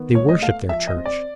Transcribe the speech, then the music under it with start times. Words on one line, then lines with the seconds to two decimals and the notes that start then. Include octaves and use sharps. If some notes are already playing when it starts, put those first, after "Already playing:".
They worship their church.
Already playing: D#3 B3
0.15 G#2 C#5
0.29 D#5
0.42 A3 F5
0.69 F3 E5
0.87 D#5
0.96 C4
1.06 D5